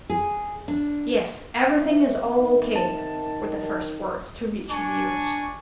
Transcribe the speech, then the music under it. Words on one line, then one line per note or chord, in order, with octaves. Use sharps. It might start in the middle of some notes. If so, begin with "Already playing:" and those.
"Yes, everything is all okay," were the first words to reach his ears.
G#4
D4
C4 E5
D#3
A5
D4 G#5 C#6